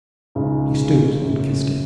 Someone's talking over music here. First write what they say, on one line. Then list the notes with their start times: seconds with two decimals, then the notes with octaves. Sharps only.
He stooped and kissed it.
0.35 C#2 C#3 G#3 D#4
1.20 F#2 C#3 F#3